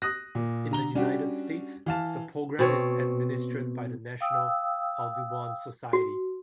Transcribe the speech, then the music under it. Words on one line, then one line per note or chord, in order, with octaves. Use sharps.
In the United States the Program is administered by the National Audubon Society.
D#6 F#6 A#6
A#2
D3 A#5 G7
G3 C#4 D4 F#4 G4
E3 F5 A5
B2 C4 C#5
F5 G5 D#6 E6
F#4